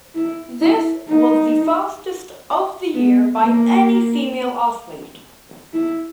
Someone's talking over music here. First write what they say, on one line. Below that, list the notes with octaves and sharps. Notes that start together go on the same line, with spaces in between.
This was the fastest of the year by any female athlete.
E4
E4
D#4
B3
A#3
E4